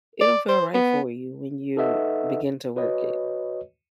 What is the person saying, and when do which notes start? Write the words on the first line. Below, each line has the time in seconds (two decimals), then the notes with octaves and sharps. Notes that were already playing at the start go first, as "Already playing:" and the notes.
it'll feel right for you when you begin to work it,
0.21 D5
0.48 C5
0.74 B3
1.76 D#4 A4 B4 D#5 E5 F#5
2.76 F#4 B4 C#5 D#5